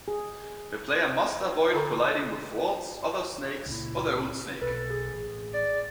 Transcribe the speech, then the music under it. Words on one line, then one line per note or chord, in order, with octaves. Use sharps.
The player must avoid colliding with walls, other snakes or their own snake.
G#4
D3 A4 A#4 A#5 B5 C#6
C#2 A#2 E4
B1 A4 B4
G#4
A1
D5